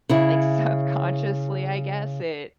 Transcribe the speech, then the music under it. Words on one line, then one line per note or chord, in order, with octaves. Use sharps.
like, subconsciously, I guess it
C#3 C#4 E4